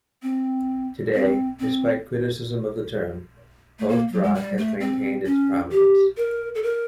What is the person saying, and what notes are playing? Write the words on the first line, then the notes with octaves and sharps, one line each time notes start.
Today, despite criticism of the term, post-rock has maintained its prominence.
C4
C4
C4
A3
A#3
F#3
G#3
G3
A3
C4
C#4
G4
A#4
A4
A#4